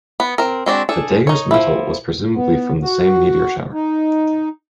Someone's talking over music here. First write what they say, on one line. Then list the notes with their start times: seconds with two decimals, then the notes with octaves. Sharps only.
The dagger's metal was presumably from the same meteor shower.
0.20 B3
0.38 C4 A#4
0.66 G#3 C4 D4 F#4
0.89 D4 G#4 A4
1.27 D#4 C#5
1.51 F3 E4
2.36 B3
2.82 F#4
3.73 D#4